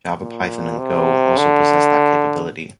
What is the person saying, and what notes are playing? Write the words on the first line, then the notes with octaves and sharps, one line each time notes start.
Java, Python and Go - also possess that capability.
A#2
C3
D3